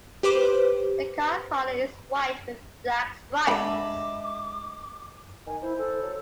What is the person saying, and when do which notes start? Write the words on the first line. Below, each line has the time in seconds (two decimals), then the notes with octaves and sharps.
The car colour is white with black stripes.
0.23 G4 B4 C5 D6
3.47 G#3 D4 D#5 E5 B5 D6
5.46 D#3 G#5
5.62 E4 C5
5.77 A4
6.03 F#3